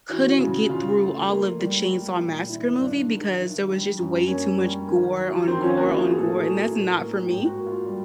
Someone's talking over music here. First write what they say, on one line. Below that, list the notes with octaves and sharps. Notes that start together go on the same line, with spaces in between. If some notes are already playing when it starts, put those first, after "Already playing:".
couldn't get through all of the Chainsaw Massacre movie because there was just way too much gore, on gore, on gore, and that's not for me.
E3 F#4
C#3
C#3 F4
A3
A#3
G3
G3
A#2
D#3 E4
G2 D4
D#3
D#3
G3
F#2
A#3 C#4
G3
D#3
F#3
D#3 C4
C#4
A#3 F#4
E4
F4
A2 G#4
A4
G#4
F#3
A2
A#3
G#2 G4
F#4
A#3
F4
G3